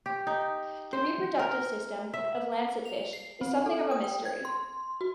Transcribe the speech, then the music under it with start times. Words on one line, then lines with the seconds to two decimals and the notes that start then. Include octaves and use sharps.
The reproductive system of lancetfish is something of a mystery.
0.06 G4
0.27 D#4
0.93 C5
1.39 A#4
2.14 E5
2.85 F7
3.13 C7
3.41 C4
3.66 A4
3.91 D#6
4.04 G5
4.25 G#6
4.45 C6
5.01 F#4